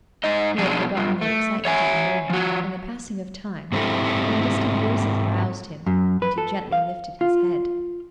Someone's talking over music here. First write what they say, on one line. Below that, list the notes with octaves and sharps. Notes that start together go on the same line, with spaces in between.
He had forgotten the excitement of the morning and the passing of time when distant voices aroused him, and he gently lifted his head.
G#2 D#4 D#5
B2 F3 D4 D#4 G#4
G2 F4
A3
C#5 E5 G#5
F3 F#4
G#2 C4 E4 G4 A4
F#2
B4
A4
F5
F4